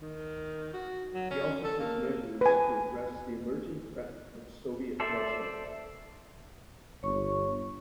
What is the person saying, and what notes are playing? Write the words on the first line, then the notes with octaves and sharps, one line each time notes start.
He also took measures to address the emerging threat of Soviet Russia.
D#3
F#4
F#3
C#4
A4
A#3
B4 G#5
A4 C5 D5 E5
G1 C#5 C#6